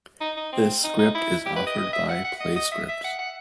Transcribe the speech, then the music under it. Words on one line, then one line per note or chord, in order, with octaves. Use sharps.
This script is offered by Playscripts.
D#4
D#4
C4
D#4
D#4
E4
G4
B4
D#5
D#5
E5
F#5
F#5
D#5
D#5
E5
E5
F#5
F#5